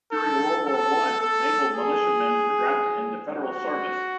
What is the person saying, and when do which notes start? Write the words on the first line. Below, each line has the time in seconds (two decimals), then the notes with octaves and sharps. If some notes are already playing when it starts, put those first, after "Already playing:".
During World War One, naval militiamen were drafted into federal service.
0.12 A4
0.67 A4
1.21 A4
1.75 G#4
3.37 F#4